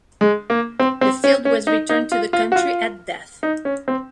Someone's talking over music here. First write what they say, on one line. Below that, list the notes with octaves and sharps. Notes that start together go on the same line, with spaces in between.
The field was returned to the country at death.
G#3
A#3
C4
C4
C#4
C#4
D#4
D#4
F4
F4
F#4
F4
D#4
C#4
C4